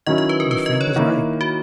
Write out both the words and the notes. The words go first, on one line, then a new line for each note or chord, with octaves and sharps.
The friend is right.
D#3 F#3 C#4 E4 D#5
D#5
B4
A#4
B4
D#5
C#5
D#3 A#3 E4
F#4